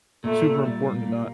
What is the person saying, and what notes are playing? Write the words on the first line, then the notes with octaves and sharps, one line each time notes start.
super important to not
A#2 A3
A#2
G3
A#3
A#2